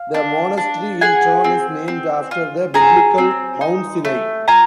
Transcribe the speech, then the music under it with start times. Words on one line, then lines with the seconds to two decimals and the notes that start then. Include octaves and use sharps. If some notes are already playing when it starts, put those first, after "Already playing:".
The monastery in turn is named after the Biblical Mount Sinai.
Already playing: F5
0.14 D4
0.57 D4
1.01 G#4 F#5 G#5
1.44 C4
1.88 C4
2.31 F4
2.74 G#4 G#5 A#5
3.18 C4
3.61 D#4
4.05 A3
4.48 F4 G#5 A#5